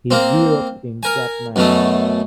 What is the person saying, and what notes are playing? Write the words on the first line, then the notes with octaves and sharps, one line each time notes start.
He grew up in Chapman.
A#3 C4
A#4 G#5
F#2 B2 A3